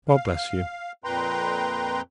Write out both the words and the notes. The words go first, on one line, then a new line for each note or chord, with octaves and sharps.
God bless you!
F5
F2 A#2 B4 G5 A#5 C6